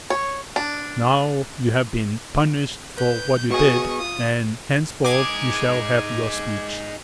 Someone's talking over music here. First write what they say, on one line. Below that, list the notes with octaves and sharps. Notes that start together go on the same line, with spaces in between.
Now you have been punished for what you did, and henceforth you shall have your speech.'
C#5
D4
B4 G6
B2 F#4 G#4 C#6 D#6
F4 D#6
D#4 G#4 D6 G#6